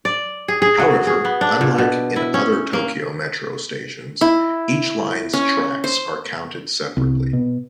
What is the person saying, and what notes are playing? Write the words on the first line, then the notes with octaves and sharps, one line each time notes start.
However, unlike in other Tokyo Metro stations, each line's tracks are counted separately.
D5
G#4
G#4
F#4
G#4
B3
D4
A#2
B2
E4
C#4
A#3
E4
C#4
C5
C2
B2